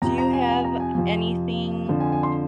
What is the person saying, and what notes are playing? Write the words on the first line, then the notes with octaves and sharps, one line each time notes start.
Do you have, uh, anything,
F2 C3 F3 A#5
A#5
G#5
G#5
A#5
G#5
F2 C3 F3
F2 D3 F3
G#5
G#5
C6